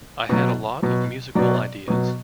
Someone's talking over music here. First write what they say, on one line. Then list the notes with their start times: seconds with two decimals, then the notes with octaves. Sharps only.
I had a lot of musical ideas.
0.29 B2 F#3
0.82 B2 F#3
1.35 B2 F#3 D5
1.88 B2 F#3